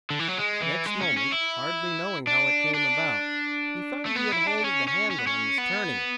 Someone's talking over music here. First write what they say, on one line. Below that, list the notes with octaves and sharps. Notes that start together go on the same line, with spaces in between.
Next moment, hardly knowing how it came about, he found he had hold of the handle and was turning it.
D3
E3
F#3
G#3
E3
G#3
C#4
C#4
E4
D4
D4
A3
B3
E4
D4
C#4
C#4
C#4
B3
C#4
B3